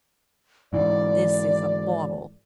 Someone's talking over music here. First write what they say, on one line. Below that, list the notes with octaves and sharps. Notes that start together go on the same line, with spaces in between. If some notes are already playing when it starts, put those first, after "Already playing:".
This is a bottle.'
G#2 E3 D5